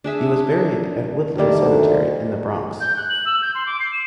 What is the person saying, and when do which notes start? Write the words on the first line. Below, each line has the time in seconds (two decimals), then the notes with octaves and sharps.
He was buried at Woodlawn Cemetery in the Bronx.
0.04 D4 G#4 E5
1.38 D#3 G3 A3 A#3
1.61 D2
2.81 G6
2.97 F#6
3.09 F#7
3.26 E6
3.41 G6
3.55 C6
3.66 D6
3.80 C7
3.93 E7